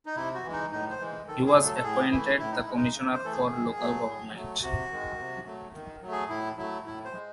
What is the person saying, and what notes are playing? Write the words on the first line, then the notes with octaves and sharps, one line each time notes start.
He was appointed the Commissioner for Local Government.
D#4
C3 E4
F#4
E3 G#3
D#4
A2 D#4
C5
E3 G#3
D#3 A4
G#4
F#3 A3
A4
A4
A2 G#4
E3 A3 E4
A2 E4
D#4
E4
G#3
D#4
C#3
C5
E3 A3 A4
G#4
D#3
F#3 A3
A2
F#3 A3
C3 F#4
D#3 G#3
C3
F#3 A3
D#3
F#3 A3
G#4
A2 E4
F#3 A3 E4
A2 E4
C5
G#3